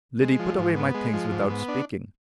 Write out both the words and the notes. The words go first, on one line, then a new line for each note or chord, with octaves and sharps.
Liddy put away my things without speaking.
G#3
F3
G#2
B3
G#3
F3
G#2
B3
D4